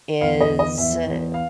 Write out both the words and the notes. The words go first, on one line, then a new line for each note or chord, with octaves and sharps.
is uh,
E2 F5
D#5
E2
D#5
E2 E5
E2
F5